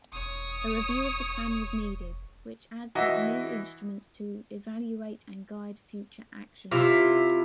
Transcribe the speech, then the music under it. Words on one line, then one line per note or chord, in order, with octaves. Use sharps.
A review of the Plan was needed, which adds up new instruments to evaluate and guide future actions.
E1 C#5 D#6
E3 E4 F#4 D#5 E5
C3 E4 F4